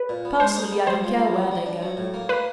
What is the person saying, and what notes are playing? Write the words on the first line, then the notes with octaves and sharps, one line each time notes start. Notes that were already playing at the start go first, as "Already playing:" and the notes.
Personally, I don't care where they go.
Already playing: B4
A#2
B3
G#3 C5
D#4
B3
G#3 C5
F3
B3
B3
G3
D4
F#3
A2
A#3
A#3 B4